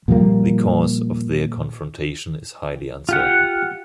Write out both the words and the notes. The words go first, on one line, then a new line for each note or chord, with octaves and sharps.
The cause of their confrontation is highly uncertain.
A#2 F3 G3 A#3
F4 G4 F#5